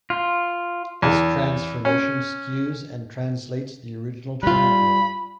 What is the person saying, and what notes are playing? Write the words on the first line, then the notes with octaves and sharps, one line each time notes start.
This transformation skews and translates the original triangle.
F4
E2
C#4
G3 F4 B5